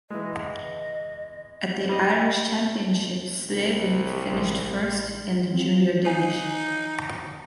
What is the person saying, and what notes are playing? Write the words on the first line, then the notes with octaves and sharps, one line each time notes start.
At the Irish Championships Slevin finished first in the junior division.
E3 G#3 D#5
G3 D#5
C2
A1 G#3
C4 F4
D#4 C5 F5 G#5